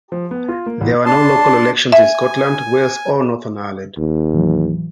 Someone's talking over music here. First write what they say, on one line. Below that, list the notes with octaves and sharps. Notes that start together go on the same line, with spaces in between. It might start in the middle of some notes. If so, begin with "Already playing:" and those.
There were no local elections in Scotland, Wales or Northern Ireland.
F3
B3
F4
A#3
A1
D4 A5 C6
E5 G#5
D#2
A2 E3 F#3